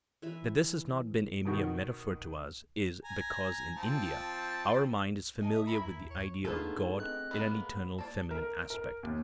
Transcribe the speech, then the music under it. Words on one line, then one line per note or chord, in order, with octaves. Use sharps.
That this has not been a mere metaphor to us is because, in India, our mind is familiar with the idea of God in an eternal feminine aspect.
E3 B4 E5
B2 D#3 F#4
G#5 A#5
F3 C4 A5
D#5 G#5 A5
E5 C#6 D#6
A#4 E5 G#5 B5
E2 E4
E2
D#2 C#5
A3 B3 D4 D#4 F4 G#4 A4
C4 D#5 F#6
G#3 A#3 B3 B5
A#3 D5 A5
A#4
A#4
D#2